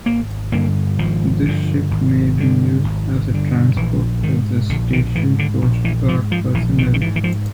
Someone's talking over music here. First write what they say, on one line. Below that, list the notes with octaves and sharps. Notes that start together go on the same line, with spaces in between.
This ship may be used as a transport for the stationed coast guard personnel.
G#1 A#3
G2 D3 A#3
G#1 F3
G2 D3
G#1
G2 D3
G#1
G2 D3
A#1 E3
G#2 D#3
A#1 D3
D#3
G#2 E3
D3
A#1
E3
G#2 F3
F3
A#1 E3
D#3
D#3
G#2 E3
E3
F3